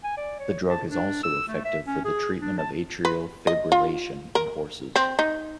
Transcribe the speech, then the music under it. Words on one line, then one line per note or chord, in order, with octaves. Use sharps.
The drug is also effective for the treatment of atrial fibrillation in horses.
G#5
D5
C#5
A5
D4
E6
A3
E5
C#4
G#4
D4
A5
B4
D#5
F4
A#4
C4
D#4